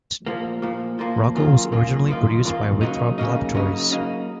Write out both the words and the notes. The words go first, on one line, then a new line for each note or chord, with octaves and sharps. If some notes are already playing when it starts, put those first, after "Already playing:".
Roccal was originally produced by Winthrop Laboratories.
A#2 F3 A#3
A#2 F3 A#3
A#2 F3 A#3
F#2 D#3 A#3 F4
F#2 D#3 A#3 F4
F#2 D#3 A#3 F4
F#2 D#3 A#3 F4
C#3 F#3 A#3 D#4
C#3 F#3 A#3 D#4
C#3 F#3 A#3 D#4
C#3 F#3 A#3 D#4